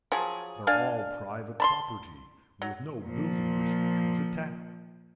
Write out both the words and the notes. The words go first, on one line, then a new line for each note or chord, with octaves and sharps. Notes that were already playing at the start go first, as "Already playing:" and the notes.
They're all private property, with no building restrictions attached.'
F3 F#3 G#4
D4 F5 G#5
A5 B5 C6
F#3
A#2 F3